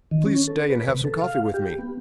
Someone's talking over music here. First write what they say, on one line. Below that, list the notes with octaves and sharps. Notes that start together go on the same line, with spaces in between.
"Please stay and have some coffee with me."
D#3
C#4
A4
B4
C3
A4
F5
G4
B3